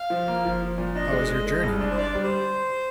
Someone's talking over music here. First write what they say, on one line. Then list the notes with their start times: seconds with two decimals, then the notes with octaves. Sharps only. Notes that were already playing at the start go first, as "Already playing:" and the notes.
How was your journey?
Already playing: F5
0.10 F3
0.28 A#3
0.45 F3
0.62 F3
0.78 A#2
0.95 D4 D#5
1.12 G#3
1.29 G#3
1.47 G#3
1.63 C2
1.81 D4
1.91 C5
1.98 D4 D5
2.15 G3
2.23 C5